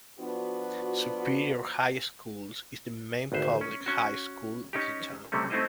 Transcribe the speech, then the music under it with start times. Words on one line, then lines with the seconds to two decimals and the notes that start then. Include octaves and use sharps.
Superior High School is the main public high school of the town.
0.20 F3 B3 D4 F4 F#4
3.32 G#1 D2 B4 C5
3.61 C#4
3.86 C#4 F#4
4.73 C#4 D#4 G4
5.32 C3 G3 A3 C4 C#4
5.50 A3 C4 D#4 E4 C5 D#5